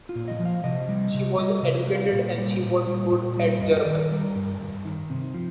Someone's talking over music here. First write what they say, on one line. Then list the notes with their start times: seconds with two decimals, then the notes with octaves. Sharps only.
She was educated and she was good at German.
0.09 F4
0.15 A#2
0.28 D#5
0.39 F3
0.45 F5
0.64 C3 D#5
0.89 G3
1.14 C3
1.38 G3 D#5
1.57 D#5
1.63 C3
1.88 G3
1.95 F5
2.12 A#2
2.38 G3
2.63 A#2
2.87 G3
3.12 A#2
3.37 G3
3.61 G2 D#5
3.80 D5
3.86 D#3
3.98 A#4
4.12 G3
4.17 A#4
4.35 G2
4.61 G2
4.85 D#3
5.10 C3
5.34 F3